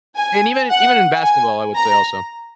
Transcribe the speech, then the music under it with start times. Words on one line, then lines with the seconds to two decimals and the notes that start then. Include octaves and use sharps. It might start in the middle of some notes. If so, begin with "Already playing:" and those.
and even in even in basketball, I would say also.
0.16 G#5
0.70 F#5
1.22 G#5
1.75 A#5